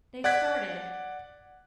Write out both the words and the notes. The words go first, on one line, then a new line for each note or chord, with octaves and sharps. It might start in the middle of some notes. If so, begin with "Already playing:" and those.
They started.
D5 F#5 F#6 G#6 B6